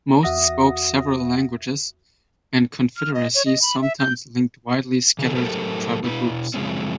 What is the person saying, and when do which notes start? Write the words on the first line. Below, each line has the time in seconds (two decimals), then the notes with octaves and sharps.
Most spoke several languages, and confederacies sometimes linked widely scattered tribal groups.
0.23 E2 F#4 E5 F#5 D#6 A#6
2.97 F6
3.14 D#5
3.35 C#5
3.46 D#5
3.62 B5
3.82 E5
3.99 G6
5.19 C#3 E3 A4
5.35 A2 F#3 G4 A4 A#4 C5
6.04 B2 E4 B4
6.54 F#2 C#3 F3 G#3 C4 C#4